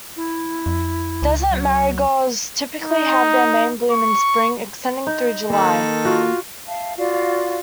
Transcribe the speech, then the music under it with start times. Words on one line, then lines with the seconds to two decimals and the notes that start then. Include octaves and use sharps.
Desert marigolds typically have their main bloom in the spring, extending through July.
0.17 E4
0.66 F2
1.22 C#2
1.50 F#3
2.81 D#4
3.91 C#6
5.07 D#4
5.50 D#3 A#3 A4 B5
6.05 F4 F#4
6.67 E5 F5 A5
6.97 F4 F#4 D5 F5